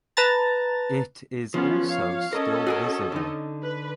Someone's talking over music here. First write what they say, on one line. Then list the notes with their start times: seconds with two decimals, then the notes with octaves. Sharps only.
It is also still visible.
0.17 B4 A5 A#5 A6
1.54 F3 B3 C#4 F4
1.87 C#5 F5
2.33 C#4 A4 A#4 D#5
2.67 F#4 G#4 A#4
3.12 D3 D#4
3.63 B4